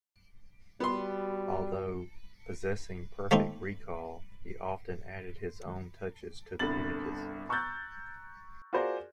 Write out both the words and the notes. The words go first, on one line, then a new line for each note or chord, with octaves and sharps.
Although possessing perfect recall, he often added his own touches to the images.
G3 B3 F#4 C6
A3 A#3 C4 D#4
G1 C2 D3 B5 A6 F#7
A#5 C#6 E6 F#6 G6 A6
F4 F#4 G#4 A#4 C5 D5